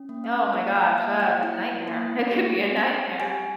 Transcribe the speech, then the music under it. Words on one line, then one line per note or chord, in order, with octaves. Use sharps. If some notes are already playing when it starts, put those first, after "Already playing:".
Oh my gosh, ugh, it's a nightmare, it could be a nightmare.
Already playing: C#4
A#3
F5
E4 F5
F5
A#3 E5
G5
E4
A#3
G4
C4
G4 G#5